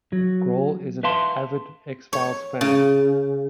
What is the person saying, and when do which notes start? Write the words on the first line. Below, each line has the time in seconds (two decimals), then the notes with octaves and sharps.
Grohl is an avid "X-Files" fan.
0.13 F#3
1.03 B4 E5 F5 A5 C6
2.13 C#5
2.61 C#3